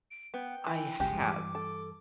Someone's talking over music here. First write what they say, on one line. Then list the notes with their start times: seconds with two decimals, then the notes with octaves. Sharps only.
I have,
0.10 D7
0.34 B3 G5
0.67 E3
1.00 G1 C#2 G#3 G4
1.20 G2 E3 D6
1.55 A4